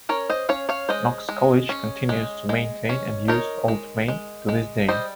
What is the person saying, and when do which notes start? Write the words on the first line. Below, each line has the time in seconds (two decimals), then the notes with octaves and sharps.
Knox College continues to maintain and use Old Main to this day.
0.09 C#4 A#4 C#5
0.30 C5 D#5
0.49 C#4 C#5 F5
0.69 C#5 F5
0.89 G#3 C5 D#5
1.29 G#3
1.69 C#4
2.09 G#3
2.49 G#3
2.89 C#4
3.28 D#4 A#4 C#5
3.68 G#3
4.08 G#3
4.49 G#3
4.89 G3 C5 D#5